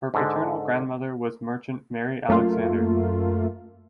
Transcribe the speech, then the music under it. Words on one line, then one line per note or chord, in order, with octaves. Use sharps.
Her paternal grandmother was merchant Mary Alexander.
G#2 D3
F#2 A3 A#3 F4